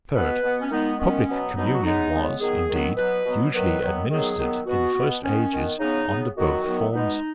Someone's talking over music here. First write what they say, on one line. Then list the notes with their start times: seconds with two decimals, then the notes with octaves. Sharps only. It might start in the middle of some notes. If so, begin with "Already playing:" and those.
Third--Public Communion was, indeed, usually administered in the first ages under both forms.
0.14 B2 B3 B4
0.43 B2 B3
0.61 C#4
0.71 D#3 G#3 B3 D#4
0.99 D#3 G#3 B3 C#4
1.28 B2 F#3 B3
1.55 B2 F#3 B3 D#4
1.72 F#4
1.83 C#3 G#3 B3 D#4
2.12 C#3 G#3 B3
2.40 D#3 F#3 B3 G#4
2.69 D#3 F#3 B3
2.96 B2 F#3 B3 B4
3.25 B2 F#3 B3
3.53 D#3 F#3 B3 B4
3.82 D#3 F#3 B3
4.10 D#3 F#3 B3 G#4
4.38 D#3 F#3 B3
4.66 B2 B3 F#4
4.95 B2 B3
5.22 D#3 B3 C#4
5.51 D#3 B3
5.79 C#3 B3 D#4
6.08 C#3 B3
6.36 D#3 F#3 B3 F#4
6.64 D#3 F#3 B3
6.92 B2 G#3 B3 D#4